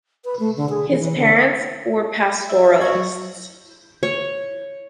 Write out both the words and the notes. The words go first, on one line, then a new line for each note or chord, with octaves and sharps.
His parents were pastoralists.
B4
A3
D3
G#4
E3
E3
D3
E5
F#4 A#4 G#6
F#3
C#5